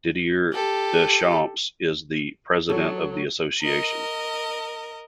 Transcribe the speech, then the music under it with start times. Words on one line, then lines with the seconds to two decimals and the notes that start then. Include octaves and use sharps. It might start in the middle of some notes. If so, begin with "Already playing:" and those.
Didier Deschamps is the president of the association.
0.52 G4 A4
2.69 F#3 A4
3.62 A#4 D#5